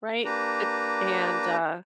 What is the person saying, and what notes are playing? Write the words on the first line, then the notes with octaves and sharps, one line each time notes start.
right, eh and, uh,
A#3 D4 G4 B4 A#5